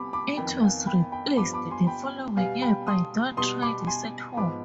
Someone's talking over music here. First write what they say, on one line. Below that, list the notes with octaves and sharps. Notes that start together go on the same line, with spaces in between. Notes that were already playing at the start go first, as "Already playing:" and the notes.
It was replaced the following year by Don't Try This at Home!
Already playing: C3 G3 B3 B5 D6
B5 D6
F2 D#3 B3 G5 B5
F5 G#5
G5 B5
G5 B5
G2 F3 B3 B5 D6
B5 D6
G#5 C6
G5 B5
B2 G3 B3 F5 G#5
G5 B5
C6 D#6
B2 G3 B3 C6 D#6
B5 D6
G#5 C6
G#2 F3 B3 B5 D6